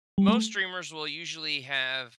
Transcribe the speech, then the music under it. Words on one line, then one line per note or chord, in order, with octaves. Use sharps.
Most streamers will usually have
G3
A3